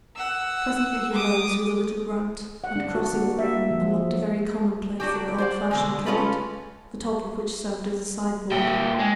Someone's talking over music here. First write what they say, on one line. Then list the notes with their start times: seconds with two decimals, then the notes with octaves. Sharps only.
Presently he rose with a little grunt, and, crossing the room, unlocked a very commonplace and old-fashioned cupboard, the top of which served as a sideboard.
0.16 F#5 E6
1.13 D6 D#6
2.64 F#5
2.76 D4
2.95 F#4
3.13 A#3
3.39 E5
3.71 F3
3.97 F#3
5.00 F#3 D4 F#4 G4
5.38 C5 D5 F#5
5.71 B2 D3 G#3
6.06 G#3 C#4 F4 A4 B4
8.52 A#2 G5
8.99 G#3